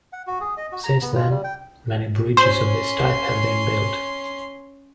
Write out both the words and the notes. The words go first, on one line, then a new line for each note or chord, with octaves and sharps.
Since then, many bridges of this type have been built.
F#5
F#4
G#4
D#5
F#4
A#5
B3
F4
G3
G5
C#4 C5 C6